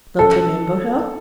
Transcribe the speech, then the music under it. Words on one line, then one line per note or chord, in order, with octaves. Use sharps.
Not remember her?
A4